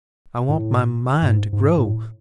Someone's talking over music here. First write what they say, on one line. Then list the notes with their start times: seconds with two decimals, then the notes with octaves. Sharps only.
I want my mind to grow.
0.49 A2
1.22 G2
1.26 G#2
1.53 G#2
1.78 A2